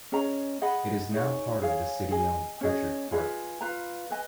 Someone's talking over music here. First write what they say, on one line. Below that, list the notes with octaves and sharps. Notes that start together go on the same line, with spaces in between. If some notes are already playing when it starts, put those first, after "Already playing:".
It is now part of the city-owned Pritchard Park.
C#4 G#4 D#5 A#5
G#4 D#5 F#5 B5
D#4 G#4 C#5
G#4 C#5 F5 G#5
G#4 D#5 G#5
C#4 G#4 D#5
F4 G#4 B4 D#5
F4 B4 F5 A#5
B4 D#5 G#5